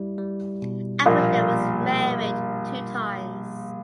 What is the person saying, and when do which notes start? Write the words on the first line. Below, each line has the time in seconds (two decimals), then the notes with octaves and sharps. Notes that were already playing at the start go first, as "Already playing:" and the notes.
Appleton was married two times.
Already playing: G3 E4
0.18 G3
0.62 B2
1.06 A#1 A#2 G3
1.50 A#3